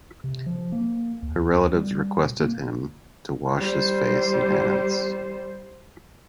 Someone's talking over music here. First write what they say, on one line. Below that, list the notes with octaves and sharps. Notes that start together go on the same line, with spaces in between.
Her relatives requested him to wash his face and hands.
C3
F3
A#3
D#2
G3
B2
A#3
G3 C5